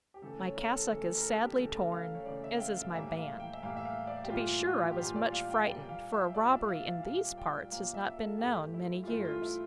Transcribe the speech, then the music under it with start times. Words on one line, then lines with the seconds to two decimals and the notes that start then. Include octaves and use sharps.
My cassock is sadly torn, as is my band. To be sure, I was much frightened, for a robbery in these parts has not been known many years.
0.14 G4
0.22 C#3 E3 A3 A4
0.39 C#5
0.56 A#4
0.73 A4
0.89 C#3 E3 A3 A4
1.07 A4
1.17 A#4
1.23 A4
1.35 A4
1.41 G4
1.58 C#3 E3 A3 A4
1.92 F5
2.15 C#5
2.26 C#3 E3 A3 D5
2.44 E5
2.57 G5
2.60 F5
2.77 F5
2.94 A2 E3 G3 A#3 E5
3.17 F5
3.40 G5
3.54 E5
3.62 A2 E3 G3 A#3 F5
3.77 E5
3.85 F5
4.07 D5
4.24 G4
4.30 A2 E3 G3 A#3 F4
4.65 F4
4.90 G4
4.98 A2 E3 G3 A#3 F4
5.16 D5
5.32 F5
5.50 G5
5.66 A#2 G3 A#3 G5
5.89 F5
6.13 E5
6.34 A#2 G3 A#3 D5
6.52 E5
6.68 F5
6.86 F5
7.03 A#2 G3 A#3 F5
7.38 G5
7.71 A#2 G3 A#3 F5
7.95 E5
8.17 A4
8.39 G2 E3 A3 G4
8.74 E4
9.04 F4
9.07 G2 E3 A3 E4
9.25 F4
9.42 E4